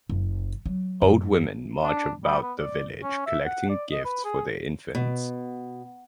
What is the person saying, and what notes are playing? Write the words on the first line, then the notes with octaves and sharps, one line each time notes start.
Old women march about the village collecting gifts for the infants.
F#1
F#3
F#2
D4
G3
B3
D5
C#4
E5
F#5
D5
D#5
B4
G#4
B2